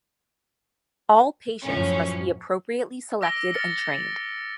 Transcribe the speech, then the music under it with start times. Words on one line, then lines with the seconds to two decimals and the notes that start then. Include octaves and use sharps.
All patients must be appropriately selected and trained.
1.62 F#2 A2 F3 C#4
3.21 D6 E6 A#6 D7 G7
3.54 F6 A6 A#6 C#7
3.74 A#6